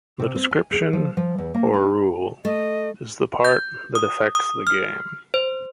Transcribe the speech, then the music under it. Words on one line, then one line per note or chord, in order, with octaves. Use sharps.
The description, or rule, is the part that affects the game.
C3
C4
G#5
G#4
F3
F3
E2
A#3
D#4
A3 D#5
G6
D#6
D#6
F6
C5